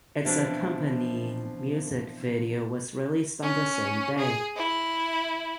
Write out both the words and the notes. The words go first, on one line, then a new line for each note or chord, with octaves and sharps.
Its accompanying music video was released on the same day.
B2 E3 F3 C4 D4 E5
C#4
G#4
E4